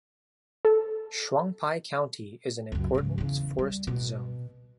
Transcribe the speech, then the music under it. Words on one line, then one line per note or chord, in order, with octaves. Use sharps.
Shuangpai county is an important forested zone.
A4
C#2 F#2
G#2 C#3
E2 C#3
G3
B2